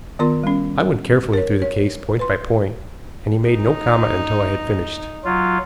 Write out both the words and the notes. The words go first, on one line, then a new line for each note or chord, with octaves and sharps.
I went carefully through the case point by point, and he made no comment until I had finished.
D#3 B3 F4 A#4 C6
G3 C#4
A#4 C#5
C#5
B4 C6
D#4
F#3 F4